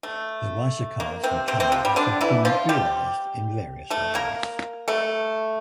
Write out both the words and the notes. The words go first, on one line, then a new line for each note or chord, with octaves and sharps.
The ricercars and canons have been realised in various ways.
A3
A#3
C3 C4
C3 C4
C3 C4
F3
G3
D3 D4
E3 E4
F3 F4
G3 G4
A3 A4
A#3 A#4
A3 A4